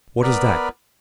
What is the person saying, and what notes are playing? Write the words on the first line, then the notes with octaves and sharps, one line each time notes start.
"What is that?"
B3 A#4 B4 D5